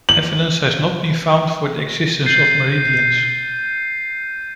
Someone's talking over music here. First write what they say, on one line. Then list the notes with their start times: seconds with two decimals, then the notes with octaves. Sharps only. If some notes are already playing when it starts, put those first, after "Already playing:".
Evidence has not been found for the existence of meridians.
0.09 F#7
2.26 G6 A6 C7 D#7